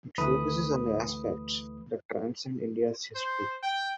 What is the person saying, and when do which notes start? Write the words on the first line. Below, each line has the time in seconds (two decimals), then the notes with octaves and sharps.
It focuses on the aspects that transcend India's history.
0.18 D2 E3 A3 B4 B5 D#6
3.16 C5
3.63 G5